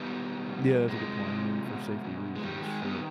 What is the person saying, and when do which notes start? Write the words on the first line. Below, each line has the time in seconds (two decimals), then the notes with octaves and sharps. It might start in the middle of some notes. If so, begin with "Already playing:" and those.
Yeah, that's a good point, I mean, for safety reasons, sure.
Already playing: D#3 G3 B3
0.10 B2
0.48 B2
0.88 C3 G#3
1.26 C3
1.66 B2
2.04 B2
2.35 G#3
2.43 D#3 G3
2.63 G#3
2.82 D#3 G3 B3